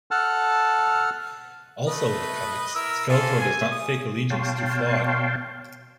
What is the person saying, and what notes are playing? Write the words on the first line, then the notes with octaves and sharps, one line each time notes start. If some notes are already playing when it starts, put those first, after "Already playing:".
Also in the comics, Skeletor does not fake allegiance to Flogg.
A4 F#5 A5 F6
A3 B4 D#5
E4 A#4 E6
A#3 F4 G#4 A4
G#5
D#6
B2 C#5 F5 G5 A5 C6